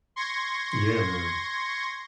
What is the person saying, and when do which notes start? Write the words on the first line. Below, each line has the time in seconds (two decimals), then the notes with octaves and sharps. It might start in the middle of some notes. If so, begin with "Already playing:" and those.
Yeah, man.
0.16 C6 C#6 G#6 A#6